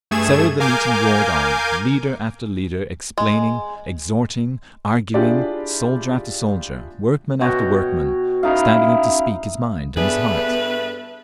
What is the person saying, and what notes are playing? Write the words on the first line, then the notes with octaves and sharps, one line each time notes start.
So the meeting roared on, leader after leader explaining, exhorting, arguing, soldier after soldier, workman after workman, standing up to speak his mind and his heart....
G2 A3 G#4 G#6 E7
A#4 F5 G#5 D6 G6
G#3
D4 E4 F4 G4 G#4 D5
B2 F#4 C#5 G5
C#4 D#4 E4 F5
G2 B3 D4 G#4 A4 B4 E5